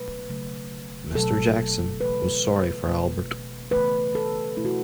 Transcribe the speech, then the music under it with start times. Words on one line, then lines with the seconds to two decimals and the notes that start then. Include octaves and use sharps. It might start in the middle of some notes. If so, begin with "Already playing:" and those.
Mr. Jackson was sorry for Albert.
Already playing: B2 F#3 A3 B4
0.29 C#3 F#3 A3
1.15 B2 F#3 A3 A4
2.00 C#3 E3 A3 B4
2.87 B2 A3
3.71 C#3 E3 A3 B4
4.15 A4
4.57 B2 A3 E4
4.65 F#4